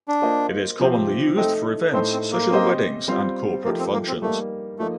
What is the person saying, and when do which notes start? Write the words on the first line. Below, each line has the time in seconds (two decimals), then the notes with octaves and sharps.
It is commonly used for events such as weddings and corporate functions.
0.08 D4
0.22 A#3 F4 C5 D#5
0.80 C3 F3 C4 G4
1.36 A3 C4 D#4 A4
1.93 A2 A3 C4 D#4 A4 C5
2.12 C4
2.32 A#3
2.51 C4 G4 C5 D#5
3.08 G3 C4 F4 C5 F5
3.65 F3 A3 A#3 D#4 G4 A#4
3.79 C4
3.93 A#3
4.08 C4
4.22 G3 A3 A#3 D#4
4.79 F3 A3 A#3 D#4 A4